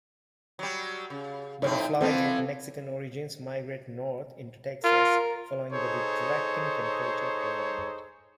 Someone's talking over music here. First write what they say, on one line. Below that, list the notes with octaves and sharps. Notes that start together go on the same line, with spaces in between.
Butterflies with Mexican origins migrate north into Texas, following the retracting temperature gradient.
F#3 G3
C#3
F2 A2 C4 D#4
E3 F3 C4 A4 C5
F4 A#4
D#4 G#4 A4 C5 C#5